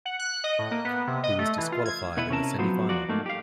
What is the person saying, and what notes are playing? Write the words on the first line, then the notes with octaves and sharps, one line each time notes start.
He was disqualified in the semifinal.
F#5
F#6
D#5
A2
A#3
B3
C3
D#5
A3
E3
F4
G#6
B2 B3 E4 B4
C3 C#4 E4 A#4 A5
F3 F#3 B3 C5
F3 F#4 D5
G#2 A3 A#3
G4 F5